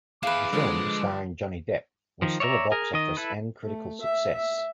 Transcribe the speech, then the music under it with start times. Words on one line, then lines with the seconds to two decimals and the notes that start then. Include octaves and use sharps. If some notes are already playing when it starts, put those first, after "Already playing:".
The film, starring Johnny Depp, was still a box office and critical success.
0.23 E4 G#4 B4 F5 D6
0.53 D3 F3 G#3
2.22 D#3 F3
2.40 C#5 D5 E5 F#5 A#5
2.72 G#4 A#4
2.93 D#3 D#5
3.17 E4 A4 B4
3.64 A3
4.01 E5
4.34 E5